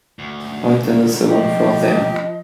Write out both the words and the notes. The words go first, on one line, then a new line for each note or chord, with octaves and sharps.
Right on the second floor there.
D2
F3 G4 D#5